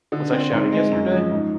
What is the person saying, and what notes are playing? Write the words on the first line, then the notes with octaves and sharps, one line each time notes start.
Was I shouting yesterday?
D3
C4
G#2
G#3
F#2
F3
G#2